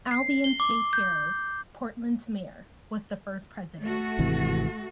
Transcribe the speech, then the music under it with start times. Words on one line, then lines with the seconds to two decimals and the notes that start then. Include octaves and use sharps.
Albion K. Parris, Portland's mayor, was the first President.
0.11 C7
0.44 G7
0.60 D6
0.93 G6
3.81 A3 F#4
4.19 G#1 C3 E3